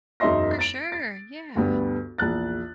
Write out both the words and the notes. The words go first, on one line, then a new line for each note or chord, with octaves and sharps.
For sure, yeah.
E1 F#2 D#4 E5 C6 A#6
A6 D7
A6
D2 G2 B3
A#1 E2 F#6 A6